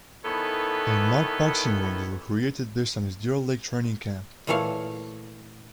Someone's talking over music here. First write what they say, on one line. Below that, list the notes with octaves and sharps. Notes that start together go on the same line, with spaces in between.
A mock boxing ring is recreated based on his Deer Lake Training Camp.
D#3 E3 B3 A4 B4 C#5
A#2 E3 A3 C#5 F5